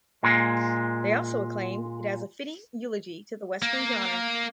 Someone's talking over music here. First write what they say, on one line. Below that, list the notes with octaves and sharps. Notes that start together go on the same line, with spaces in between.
They also acclaimed it as a fitting eulogy to the western genre.
A#2 G#3
A#3